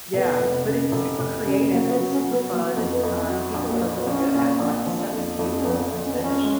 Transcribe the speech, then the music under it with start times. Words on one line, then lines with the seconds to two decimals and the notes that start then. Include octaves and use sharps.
Yeah, but it's super creative and it's super fun and, uh, people that are really good at it, like, the stuff is beautiful when it's finished.
0.14 F1 B3
0.40 F1
0.67 C#3
0.92 F1
1.19 F1
1.46 C#3
1.71 F#3 A#3
1.86 A#3
1.91 B3
1.97 F#3
2.11 C#4
2.24 F#3
2.31 B3
2.50 F#3 A#3
2.63 B3
2.74 F2 A#3
2.89 B3
3.03 F2
3.29 F#3
3.54 A#1
3.68 A#3
3.81 A#1
3.97 B3
4.07 A#1 C#4
4.34 A#2
4.60 A#1
4.86 F3
5.13 F2
5.39 F2
5.56 C#4
5.65 F2 B3
5.91 F2
6.04 C#4
6.13 B3
6.18 F3 C#4
6.43 G#3